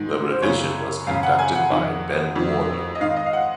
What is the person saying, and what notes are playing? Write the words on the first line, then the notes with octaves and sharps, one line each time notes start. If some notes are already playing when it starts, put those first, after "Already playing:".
The revision was conducted by Ben Warlow.
Already playing: G#2 D#3
C5
F#2 C#3 C#5
F#2 C#3 F5
F#5
G#5
F#5
F2 D#3
F2 D#3
D#5
G#2 D#3 F5
D#5
F5
F#5